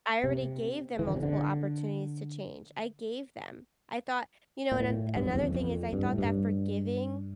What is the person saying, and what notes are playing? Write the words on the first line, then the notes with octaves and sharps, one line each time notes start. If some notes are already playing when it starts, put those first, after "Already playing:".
I already gave them multiple opportunities to change. I gave them. I thought you know, and an another thing is I thought that forgiving
C3
E3
D3
C3
D3
A#2
A2
G2
F2
E2
F2
F2
G2
A2
G2